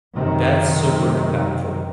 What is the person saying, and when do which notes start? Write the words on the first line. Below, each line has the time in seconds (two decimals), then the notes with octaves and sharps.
that's super impactful.
0.14 F#2 C3 D#3